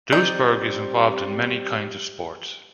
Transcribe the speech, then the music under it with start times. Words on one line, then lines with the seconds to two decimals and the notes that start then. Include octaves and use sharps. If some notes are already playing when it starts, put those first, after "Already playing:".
Duisburg is involved in many kinds of sports.
0.12 G3 C4 D#4 D5 G6